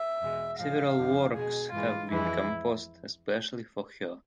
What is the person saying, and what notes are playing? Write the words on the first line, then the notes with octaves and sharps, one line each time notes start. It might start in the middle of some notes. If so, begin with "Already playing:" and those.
Several works have been composed especially for her.
Already playing: E5
E2 B2 G#3
A2 F3 G#3 F5
F2 D3 F3
B2 G#3 G#4
G#2 E3 G#3 F4
F2 E3 G#3 E4